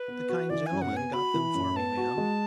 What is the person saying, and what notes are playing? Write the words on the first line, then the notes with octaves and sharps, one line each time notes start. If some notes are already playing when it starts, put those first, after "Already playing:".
"The kind gentleman got them for me, ma'am."
Already playing: B4
B3
F#4
E3 D5
G#5
F#2
F#5
B3 G#5
F#4 B5
E3
F#2
B3 A5
F#4
G#3